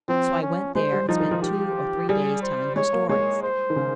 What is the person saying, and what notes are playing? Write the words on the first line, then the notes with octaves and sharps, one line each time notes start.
So I went there, and spent two or three days telling him stories.
F3 C4
C#4
G#3 C5
G3
F3 D#4
D#3
F3
G4
G3 G#4
C5
G#3 C#5
A#3
G#3 C#5
C5
D#3
C#3